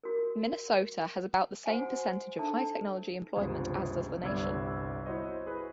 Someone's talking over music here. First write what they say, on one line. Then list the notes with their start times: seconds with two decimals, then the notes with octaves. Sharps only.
Minnesota has about the same percentage of high-technology employment as does the nation.
0.04 F#4 A#4
1.66 F#4 C5 F#5 G#5
2.39 D4 D#4 A4 E5 A5
3.36 G1 C#2 C3 F3 G#4
4.23 G1 C2 G3 D5 E6 G#6
5.06 E4 F#4 C5 C#5 D#5
5.46 G#4 B4